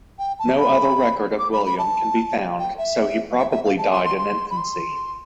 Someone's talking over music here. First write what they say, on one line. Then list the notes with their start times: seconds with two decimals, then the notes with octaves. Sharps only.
No other record of William can be found so he probably died in infancy.
0.19 G5
0.39 A5
0.59 B5
1.39 D6
1.53 B5
1.66 B5
1.78 A5
2.59 G5
2.78 E5
3.38 E5
3.51 E5
3.65 F5
3.78 A5
3.91 C6
4.05 C6
4.18 C6
4.50 B5
4.58 C6